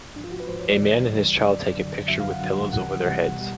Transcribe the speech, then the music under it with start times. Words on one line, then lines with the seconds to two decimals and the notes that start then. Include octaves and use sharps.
A man and his child take a picture with pillows over their heads.
0.16 G#2 D4
0.20 F3 F4
0.32 F#4
0.40 B4
0.48 G#2 F3 C5
0.59 C#5
0.70 D5
0.80 D2 C#3 E3 G3
1.12 D2 C#3 E3 G3
1.44 F#2 D3 F#3 D5
1.77 F#2 D3 F#3
2.08 F#2 D3 F#3 E5
2.20 F5
2.30 F#5
2.40 F#2 D3 F#3 F#5
2.73 C#2 C3 E3 G3 F#5
3.05 C#2 C3 E3 G3 F#5
3.38 B2 G3